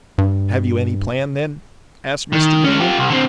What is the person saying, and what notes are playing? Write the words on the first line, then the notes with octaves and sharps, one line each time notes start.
"Have you any plan, then?" asked Mr. Damon.
G2
D#3
G#3 C#4
F4 G4
C2
D3 C4